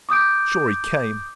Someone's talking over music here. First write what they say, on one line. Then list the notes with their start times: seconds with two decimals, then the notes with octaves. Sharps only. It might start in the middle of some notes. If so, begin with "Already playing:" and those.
Shorey came.
0.09 D6 D#6 G6 D7